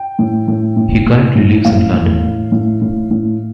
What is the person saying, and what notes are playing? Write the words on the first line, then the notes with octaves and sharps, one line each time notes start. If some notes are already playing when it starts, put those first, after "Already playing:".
He currently lives in London.
Already playing: G5
A2
A2
A2
A2
A2
A2 F5
A2
A2
A2
A2
A2